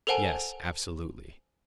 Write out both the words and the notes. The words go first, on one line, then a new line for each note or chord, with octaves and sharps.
"Yes; absolutely."
A4 A#4 C5 F#5 G#5 A5